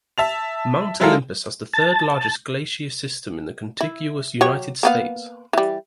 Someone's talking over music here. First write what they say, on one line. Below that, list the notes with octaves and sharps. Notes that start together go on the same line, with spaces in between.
Mount Olympus has the third largest glacier system in the contiguous United States.
E5 A5 F7
F#3 G#3 E4 A4 A#4 F5
A5
E4
F#3 G4 C#5
A#3 B3 F5
E3 G3